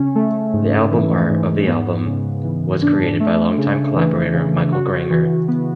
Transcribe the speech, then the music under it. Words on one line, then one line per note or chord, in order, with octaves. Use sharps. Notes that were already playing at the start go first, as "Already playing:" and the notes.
The album art of the album was created by long-time collaborator Michel Granger.
Already playing: C#3 C#4
A3
G#2
E3
G#2
B3
C#3
E3
D4
A3
C#3
E3
C#3
F#4
E3
B3